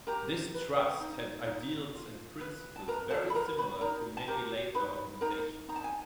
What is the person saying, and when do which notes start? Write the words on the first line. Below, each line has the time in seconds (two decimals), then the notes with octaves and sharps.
This trust had ideals and principles very similar to many later organisations.
0.07 G4 A#4 A#5
0.54 B4
1.00 D#4
1.47 D#4
1.95 F4
2.41 B4
2.76 A5
2.88 A#4 B4 A#5
3.11 A4 A5
3.30 B5
3.35 A#4 B4 A#5
3.58 B4 B5
3.81 D#4 A#4 A#5
4.17 A5
4.28 G4 A#4 A#5
4.74 D#4 B4 B5
5.21 D#4 A#4 A#5
5.68 D#4 A#5
5.76 A5
5.84 G#5